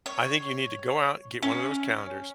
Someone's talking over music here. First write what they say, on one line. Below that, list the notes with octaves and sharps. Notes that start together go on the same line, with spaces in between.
I think you need to go out and get one of those calendars,
C#5
C#4